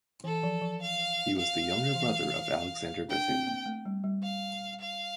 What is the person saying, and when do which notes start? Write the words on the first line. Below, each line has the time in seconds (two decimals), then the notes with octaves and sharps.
He was the younger brother of Alexander Bethune.
0.24 E3 A4
0.43 F3
0.62 F3
0.82 F5
1.38 F5
1.95 E3
3.09 D4 G5
3.28 C4
3.47 A#3
3.66 A3
3.85 G3
4.04 G3
4.22 F5
4.80 F5